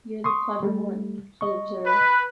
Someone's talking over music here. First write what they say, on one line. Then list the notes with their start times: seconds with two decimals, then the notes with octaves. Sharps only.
"You're the clever one," he observed.
0.24 C6 C#6 D#6
0.63 G3 A3
1.41 D#5 C#6
1.86 B4